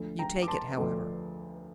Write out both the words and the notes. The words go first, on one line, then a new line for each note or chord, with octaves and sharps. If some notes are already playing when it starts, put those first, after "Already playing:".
"You take it, however."
Already playing: D2 D3 F3
G5 A#5
D6
A5 C6
D2 D3 F3